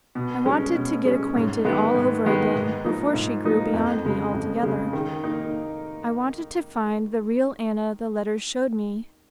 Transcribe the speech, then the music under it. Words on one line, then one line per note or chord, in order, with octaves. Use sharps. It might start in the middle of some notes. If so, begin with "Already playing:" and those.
I wanted to get acquainted all over again, before she grew beyond me altogether--I wanted to find the real Anna the letters showed me.
B2
G#3 C#4
B2
G#3 C#4
G#2
D#3 G#3 B3
G#2
D#3 G#3 B3
G#2
F3 A#3 D#4
G#2
F3 A#3 D#4
F2
C#3 G#3
F2
C#3 G#3
D#3
A#3 D#4